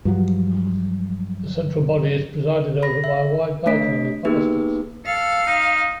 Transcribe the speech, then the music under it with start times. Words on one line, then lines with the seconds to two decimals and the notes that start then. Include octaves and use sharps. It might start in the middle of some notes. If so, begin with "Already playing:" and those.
The central body is presided over by a wide balcony with balusters.
0.05 G2 F3 F#3
2.83 B5 A#6
3.04 E5
3.66 A3 D4 C#5 D#5 B6 D7
4.25 A#3 B3 D#4 G4 G#4 B4
5.06 A4 F5
5.47 D#4